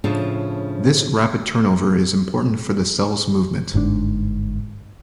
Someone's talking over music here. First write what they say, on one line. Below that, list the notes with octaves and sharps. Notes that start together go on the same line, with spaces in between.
This rapid turnover is important for the cell's movement.
A2 C#3 F3 D4 F4
G1 G#2 D3 D4